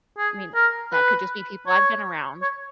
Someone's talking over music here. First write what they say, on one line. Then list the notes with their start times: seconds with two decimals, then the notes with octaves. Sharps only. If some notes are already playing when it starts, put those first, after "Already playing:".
I mean, that could just be people I've been around.
0.18 G#4
0.55 A#4
0.93 B4
1.67 C#5
2.42 C#5